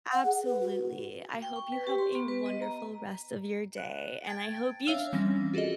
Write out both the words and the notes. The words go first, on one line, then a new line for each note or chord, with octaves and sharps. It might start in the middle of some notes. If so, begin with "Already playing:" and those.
Absolutely, I hope you have a wonderful rest of your day, and I hope you sh
F#5
G#4
B4
F#4
G5
C#6
B4
G4
C6
B3
B4
D#5
A#5
F#6
G5 A5 G#6 A6 D7
D4 C#5 E5 F5 E6 F6
E3 G3 C4 C#4 A#6
F4 F#4 G#4 A4 D#5